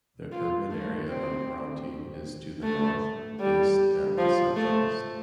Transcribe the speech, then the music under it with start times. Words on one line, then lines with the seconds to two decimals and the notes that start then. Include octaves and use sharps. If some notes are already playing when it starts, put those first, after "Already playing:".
The urban area of Bronte is to the north, east and the southwest.
0.32 F4
0.71 A3
1.09 C4
2.63 A3
3.40 G3
4.17 F3
4.56 A3